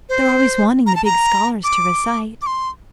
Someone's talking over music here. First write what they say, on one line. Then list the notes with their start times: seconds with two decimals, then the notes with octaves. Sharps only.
They're always wanting the big scholars to recite.
0.09 C5
0.87 A#5
0.96 A5
1.05 A#5
1.64 D6
2.42 D6
2.47 C6